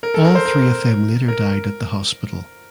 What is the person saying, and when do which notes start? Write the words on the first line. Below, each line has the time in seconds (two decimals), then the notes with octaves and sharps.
All three of them later died at the hospital.
0.03 A#4
0.14 A4
0.25 A#4
0.35 C5
0.45 A#4
1.28 A#4